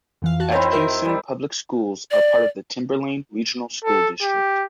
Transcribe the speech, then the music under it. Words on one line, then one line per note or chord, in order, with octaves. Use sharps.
Atkinson Public Schools are part of the Timberlane Regional School District.
F2 E3 F5
F#4 A5
D#3 C4 E4 C#5
A#4 E5
G3 D5
D5
A4
G4